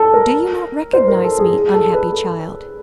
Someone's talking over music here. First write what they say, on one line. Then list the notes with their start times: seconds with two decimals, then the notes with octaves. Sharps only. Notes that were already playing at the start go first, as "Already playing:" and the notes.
"Do you not recognize me, unhappy child?"
Already playing: A4
0.14 A#4
0.93 C5
1.08 A#4
1.24 A4
1.39 G#4
1.54 G#4
1.74 A4
1.94 B4
2.12 A4